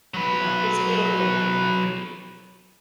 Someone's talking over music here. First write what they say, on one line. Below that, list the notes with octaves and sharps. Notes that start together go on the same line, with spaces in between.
you know, it's it'll be a win-win for you.
F#3 B4